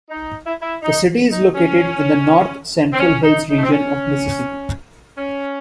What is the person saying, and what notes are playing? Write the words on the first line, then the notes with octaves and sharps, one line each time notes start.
The city is located in the North Central Hills region of Mississippi.
D#4
E4
E4
D#4
D#4
C#4
C4
C#4
D#4
D#4
A3
C4
C#4
C#4